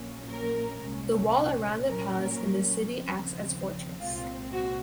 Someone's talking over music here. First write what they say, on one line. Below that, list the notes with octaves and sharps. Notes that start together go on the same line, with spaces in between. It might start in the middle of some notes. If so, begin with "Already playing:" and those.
The wall around the palace and the city acts as fortress.
Already playing: A#1 A#2 F#3 A#3 C#4
A#4
C2 A#2 G#3 C#4
A#2 F#3 C#4 A#4
D#2 C#3 F3 C4
C2 A#2 G#3 C4 F4
F#4